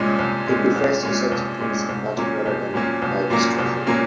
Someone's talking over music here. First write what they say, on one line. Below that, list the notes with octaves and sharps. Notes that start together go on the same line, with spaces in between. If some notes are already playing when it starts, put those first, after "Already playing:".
He prefers to settle things in battle, rather than by discussion.
Already playing: C2 A#2 G#3 C#4
C2
A#2 G#3 C#4
C2
A#2 G#3 C#4
C2
A#2 G#3 C#4
C2
A#2 F#3 A#3 C#4
C2
A#2 F#3 A#3 C#4
C2
A#2 F#3 A#3 C#4
C2
A#2 F#3 A#3 C#4